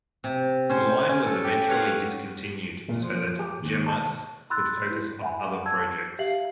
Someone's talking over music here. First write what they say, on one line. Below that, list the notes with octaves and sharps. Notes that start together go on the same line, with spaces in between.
The line was eventually discontinued so that Jemas could focus on other projects.
C3
C#4 C5
C#4
A4
G4
B4 C#5 F5 F#5
A#2
F3
G4
D#2
A5
B5 C6 E6 F#6 A6
E4
E5 F#5 G#5 B5
A5 E6 G#6
G4 E5 F5 C7 F#7